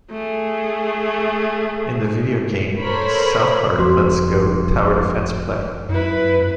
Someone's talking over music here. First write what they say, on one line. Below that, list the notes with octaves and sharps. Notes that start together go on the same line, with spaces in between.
In the video game South Park Let's Go Tower Defense Play!
A3 G#4
A4 A#4 C5 C#5 B5
F#1 F2 F#4 C6
F#2 E4 B4